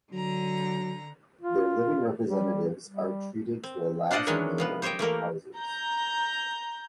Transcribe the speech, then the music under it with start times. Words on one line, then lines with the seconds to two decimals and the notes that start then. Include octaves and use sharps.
Their living representatives are treated to a last meal in the houses.
0.13 D3 F#3 A#5
1.41 F4
2.28 G3
2.88 G3
3.63 C4
4.11 D4 F4 C5 D5 D#5 F#5
4.27 D#3 E3 F#3 G#3 C#4 D4
4.58 C3 F3 B3
4.82 G4 C5 C#5 D#5 G5
4.99 E3 A3 A#3 A#4
5.58 A#5 G6